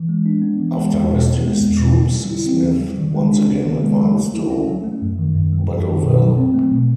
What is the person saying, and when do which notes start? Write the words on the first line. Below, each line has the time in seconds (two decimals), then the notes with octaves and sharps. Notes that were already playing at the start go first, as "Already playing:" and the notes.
After resting his troops, Smith once again advanced to Buddowal.
Already playing: E3
0.09 G#3
0.26 D4
0.42 B3
0.60 E3
0.76 G#3
0.93 E2
1.10 B2
1.27 B3
1.44 G#3
1.61 E2
1.78 B2
1.95 D3
2.12 G3
2.30 E4
2.46 C4
2.63 D3
2.81 G3
2.98 D#3
3.15 G#3
3.31 D4
3.49 B3
3.65 D#3
3.82 G#3
4.00 F#3
4.16 A3
4.34 E4
4.50 C#4
4.67 F#3
4.84 A3
5.02 F#2
5.19 D#3
5.36 F#2
5.52 G3
5.69 F#2
5.87 D#3
6.04 B2
6.21 F#3
6.37 C4
6.54 A3
6.71 B2